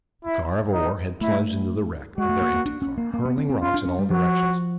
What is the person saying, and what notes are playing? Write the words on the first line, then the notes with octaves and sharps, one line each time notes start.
The car of ore had plunged into the wreck of their empty car, hurling rocks in all directions.
E4
D#4
A3 E4
G#3 F#4
A3
A#3
A#3
D4
C#4
A#3
A#3
B3
C4
C4
C#4 F4
D4
C#4
G3
F3 F#4